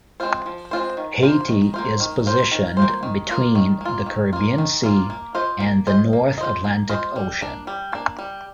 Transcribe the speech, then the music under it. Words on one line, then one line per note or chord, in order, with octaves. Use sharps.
Haiti is positioned between the Caribbean Sea and the North Atlantic Ocean.
G#3 C4 F4 C5
F3
G#3 C4 F4 C5
D#3
A#3 F4 C5
D#3
A#3 F4 C5
D#3
A#3 F4 C5
D#3
A#3 F4 C5
D#3
A#3 F4
D#3
A#3 F4
D#3
A#3 F4
D#3
A#3 F4
A#3
F4 C5 D#5
A#3
F4 C5 D#5
A#3
F4 C5 D#5
A#3
F4 C5 D#5
G3
A#3 D4
G3
A#3 D4
G3